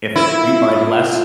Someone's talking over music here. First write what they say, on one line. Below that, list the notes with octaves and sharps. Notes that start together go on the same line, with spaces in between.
if i you are less
E4 F4